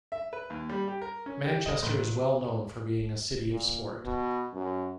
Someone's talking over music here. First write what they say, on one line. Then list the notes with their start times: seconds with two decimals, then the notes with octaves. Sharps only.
Manchester is well known for being a city of sport.
0.12 E5
0.33 B4
0.50 D#2
0.69 G3
0.88 G4
1.02 A#4
1.26 C#4
1.45 G4
1.66 D#5
1.82 A1
3.51 A#2
4.05 B2
4.54 F#2